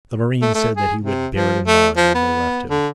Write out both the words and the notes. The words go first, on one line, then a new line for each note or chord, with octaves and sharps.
The marine said that he would bear it in mind, and they left him.
A3
A3
G#4
C3
F3
A3
F3
B3
D3